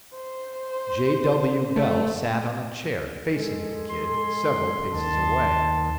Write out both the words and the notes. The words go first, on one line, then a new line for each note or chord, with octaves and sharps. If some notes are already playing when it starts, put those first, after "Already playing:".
J. W. Bell sat on a chair, facing the "Kid," several paces away.
C5
A3
G#3 A4
C6
D#2 D#3 A5